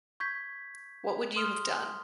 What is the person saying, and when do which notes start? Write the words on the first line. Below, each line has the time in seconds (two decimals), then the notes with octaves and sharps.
What would you have done?
0.20 C#6 G6 G#6 B6
1.36 C6 D#6 F6 G7